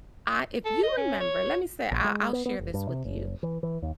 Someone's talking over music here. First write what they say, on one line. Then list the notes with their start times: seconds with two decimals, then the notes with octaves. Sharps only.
I if you remember let me say I I'll share this with you,
0.65 A4
0.83 D#5
0.97 C#4
1.20 C#5
1.91 A#1
2.04 G#3
2.33 B3
2.46 B3
2.59 F1
2.74 G2
2.89 C3
3.05 F#1
3.43 E3
3.63 E3
3.82 D#2